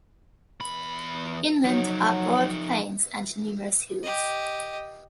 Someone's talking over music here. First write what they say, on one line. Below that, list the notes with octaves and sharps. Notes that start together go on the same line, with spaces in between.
Inland are broad plains and numerous hills.
E2 B5
F3 F#3 D#4
G4 D#5